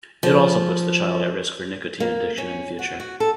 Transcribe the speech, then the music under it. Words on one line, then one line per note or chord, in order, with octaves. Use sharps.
It also puts the child at risk for nicotine addiction in the future.
F3
A#3
C#4
F#4
F#4
A4